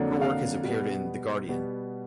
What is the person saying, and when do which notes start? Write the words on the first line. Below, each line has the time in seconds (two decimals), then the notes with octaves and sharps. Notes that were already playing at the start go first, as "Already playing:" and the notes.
Her work has appeared in the "Guardian".
Already playing: F2 D3 F#3 A#3 D4
0.21 F5
0.64 B2 G3 B3
1.48 B2 G3 B3